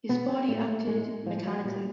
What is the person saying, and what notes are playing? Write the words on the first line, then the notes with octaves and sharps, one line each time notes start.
His body acted mechanically.
B2 B3
C#4
A2 A3
A3
A2 G#3
A2 F3
F#3
A#2 G3